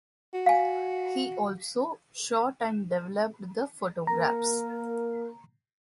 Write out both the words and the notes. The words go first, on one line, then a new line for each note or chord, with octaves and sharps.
He also shot and developed the photographs.
F#4
F5 G#5
A#3 A#4 A#5